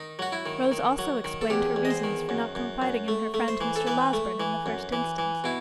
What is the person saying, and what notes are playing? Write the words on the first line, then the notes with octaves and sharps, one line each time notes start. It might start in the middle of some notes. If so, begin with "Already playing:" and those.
Rose also explained her reasons for not confiding in her friend Mr. Losberne in the first instance.
Already playing: D#3 D#4
F#3 F#4
E4
D#3
D#3
F#3
D#3
A4
E2 G4
E2
D#5
C5
D#3
F#2
F#2
F#2
A3
A3
C5
E3
A4
E3 B4
A3
E3
F#2
E3
E3
B2 E4